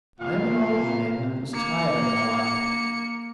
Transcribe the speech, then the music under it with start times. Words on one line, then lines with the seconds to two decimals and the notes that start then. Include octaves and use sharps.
I am an old man, and was tired of my life.
0.20 A#2 E3 F5
1.54 A#3 C#7